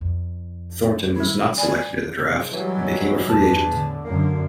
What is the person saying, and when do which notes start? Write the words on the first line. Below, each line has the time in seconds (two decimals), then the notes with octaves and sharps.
Thornton was not selected in the draft and became a free agent.
0.01 F2
1.16 D#3 G3 E4
1.58 D5 G#5 B5
2.17 D#2 G#2 C3
2.52 A2 D#3 E3 F#3 G3
3.30 E2 G2 G#4 B4 A5
3.68 A2 D3
4.05 F#2 D3 A#3